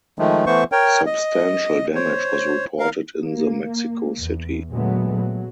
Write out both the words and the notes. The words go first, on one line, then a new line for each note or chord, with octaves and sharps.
Substantial damage was reported in the Mexico City.
D#3 F3 G#3 A3
E3 A3 B3 C5 C#6
A#4 C#5 G5
D#5
C5 C#5
A#4 F5
A#3
E2
A#2 D3 F#3 G#3 A3 B3
F#3